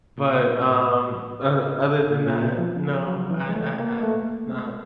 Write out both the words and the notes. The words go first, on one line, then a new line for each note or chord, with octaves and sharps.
But, um, oth other than that, no, I I have not.
A#2
A2
A#2
A#2
B2
F3
F#3
E3
G#3
A3
A#3
A3
G#3